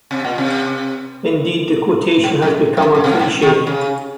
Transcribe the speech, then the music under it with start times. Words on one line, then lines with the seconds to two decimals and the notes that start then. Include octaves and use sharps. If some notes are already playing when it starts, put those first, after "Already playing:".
Indeed, the quotation has become a cliche.
0.11 C3
0.25 A#2
0.38 C3
2.24 G#2
2.42 F#2
2.77 F#2
2.95 F#2
3.04 C3
3.12 A#2
3.19 G#2
3.42 D#3
3.67 C#3